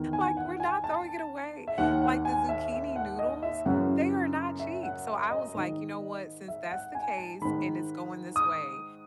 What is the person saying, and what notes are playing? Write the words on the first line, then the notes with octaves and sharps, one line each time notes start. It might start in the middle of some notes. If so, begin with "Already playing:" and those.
like, we're not throwing it away, like, the zucchini noodles? They are not cheap, so I was like, "You know what? Since that's the case and it's going this way"
Already playing: E2 D#3
G#5
F#5
G#5
A5
E5
D#2 D#3 F#5
F#5
G#5
E5
E5
F#5
D#5
E5
F#2 C#3 E3 F#5
E5
F#5
E5
D#5
G#2 D#3
E5
F#5
G#5
A5
G#2 D#3 B5
D#6